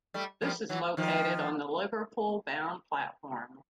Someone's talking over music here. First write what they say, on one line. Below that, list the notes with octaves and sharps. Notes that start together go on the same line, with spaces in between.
This is located on the Liverpool-bound platform.
G3 A3
F3 G3
E3 F#3
D#3 F3